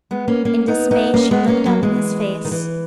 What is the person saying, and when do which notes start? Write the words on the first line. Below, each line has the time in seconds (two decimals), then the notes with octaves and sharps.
In dismay she looked up in his face.
0.11 G#3 B3
0.28 A#3 C#4
0.45 A#3 C#4
0.68 B3 D#4
0.91 B3 D#4
1.14 A#3 C#4
1.31 G#3 B3
1.48 A#3 C#4
1.65 F#3 A#3
1.83 E3 G#3
2.45 D#3
2.51 E3